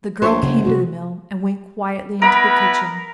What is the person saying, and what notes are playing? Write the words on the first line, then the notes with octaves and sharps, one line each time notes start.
The girl came to the mill and went quietly into the kitchen.
A#1 C5 C#5
F#1 C#3 F#3
C3 F#3 G#3 F#4
B3 E4 A#4 B4 B5